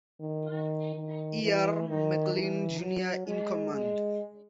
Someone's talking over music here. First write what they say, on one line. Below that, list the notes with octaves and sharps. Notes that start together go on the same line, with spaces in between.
E. R. McLean, Junior in command.
D#3
D#3
D#3
E3
D#3
E3
F#3
G#3
G#3